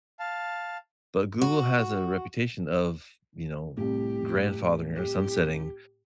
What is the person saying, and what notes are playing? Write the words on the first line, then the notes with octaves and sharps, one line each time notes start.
but Google has a reputation of, you know, grandfathering or sunsetting,
F5 A5
F#4
C2 A2 G4
G4